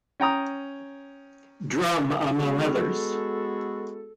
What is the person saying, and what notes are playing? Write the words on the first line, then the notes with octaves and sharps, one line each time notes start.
Drum among others.
C#4 G5 A#5 D#6
G#3 B3 F#4 G#4 A4